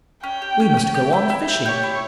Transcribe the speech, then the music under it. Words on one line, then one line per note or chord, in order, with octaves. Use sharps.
We must go on fishing.
C#4 G5
G4
C#4
C#4
G4 G5
E4
E4
G4
G4 C#5
E4